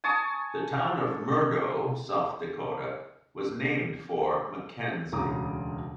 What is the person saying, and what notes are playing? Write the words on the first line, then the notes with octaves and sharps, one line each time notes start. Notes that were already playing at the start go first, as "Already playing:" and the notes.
The town of Murdo, South Dakota was named for Mackenzie.
G#5 A5 C#6 D#6
E1 D2 C#3 A#5 D6 D#6